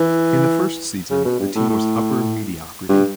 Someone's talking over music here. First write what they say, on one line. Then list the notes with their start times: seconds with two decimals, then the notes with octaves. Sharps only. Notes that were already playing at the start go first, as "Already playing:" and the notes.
In the first season, the team was upper mediocrity.
Already playing: E3
1.10 C#3
1.25 B2
1.39 G2
1.55 A2
1.69 A2
2.89 G2